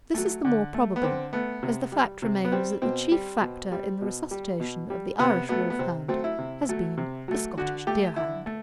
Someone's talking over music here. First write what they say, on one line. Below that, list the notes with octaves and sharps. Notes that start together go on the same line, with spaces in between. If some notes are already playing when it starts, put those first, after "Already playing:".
This is the more probable, as the fact remains that the chief factor in the resuscitation of the Irish Wolfhound has been the Scottish Deerhound.
F#3 A3
D3
A3
B3
D3 C4
A3 B3
C3
G3
C3
B3
G3 C4
B2 C4
G3
B2
G3
B2
G3
B2
G3
C3 B3
F#3 A3 B3
B3
C3 C4
F#3 A3 C4
E4
C3
F#3 A3
C3
F#3 A3
D3 F#4
A3 G4
D3 E4
A3